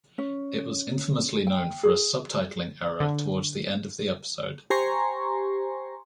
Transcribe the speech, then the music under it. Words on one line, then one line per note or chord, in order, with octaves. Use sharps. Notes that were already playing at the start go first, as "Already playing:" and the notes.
It was infamously known for a subtitling error towards the end of the episode.
C#4
G5
G#4
D3
G4 C5 G#5 A#5 C6 C#6